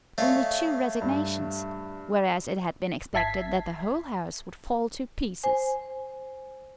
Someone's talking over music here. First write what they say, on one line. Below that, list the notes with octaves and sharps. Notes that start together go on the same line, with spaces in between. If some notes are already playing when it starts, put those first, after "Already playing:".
Only two resignations;--whereas it had been expected that the whole House would fall to pieces!
A3 C#4 D5 D#5 F5
G2
G1 E5 A5 G#6 B6 C7
C5 G#5